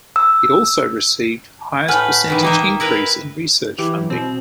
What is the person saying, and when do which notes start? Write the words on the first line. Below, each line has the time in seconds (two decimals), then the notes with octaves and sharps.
It also received highest percentage increase in research funding.
0.16 E6
1.88 A2 A3 B4 F#5 G#5 F6
2.28 B2 D#3 E3
2.43 A#3 D#4 E5 G5 A#5
2.80 E4 A#4 B4
3.78 E3 G4
3.95 F#3
4.10 B2 C4